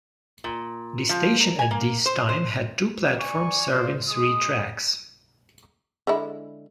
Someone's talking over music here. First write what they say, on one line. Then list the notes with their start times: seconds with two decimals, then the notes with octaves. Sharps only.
The station at this time had two platforms serving three tracks.
0.44 A#2
1.09 F3
1.40 A#4
1.59 G#5
1.71 A#3
2.06 C5
2.29 C5
3.20 D5 G#5 C#6
3.71 F4 C5 D5
4.08 G#3 D#6
6.07 D3 G#3 E4